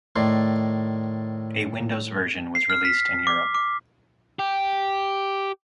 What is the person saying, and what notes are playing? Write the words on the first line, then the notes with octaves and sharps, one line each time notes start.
A Windows version was released in Europe.
A2 D#3 A3 D5 C6
C7
F6
B6
D6
D6
G4